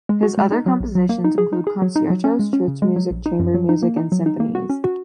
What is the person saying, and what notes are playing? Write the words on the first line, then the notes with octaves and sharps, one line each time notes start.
His other compositions include concertos, church music, chamber music and symphonies.
G#3
F#4
G#3
D#4
F#3
A#1
F#3
A#3
D#4
G#4
D#4
G#4
F#3
D#4
F#3
C#4
G#3
C#4
C#3
G#3
F#3
A#1
D#4
F#2
F#3
D#4
A#3
D#4
F#3
D#4
A#3
F#4
C#4
F#4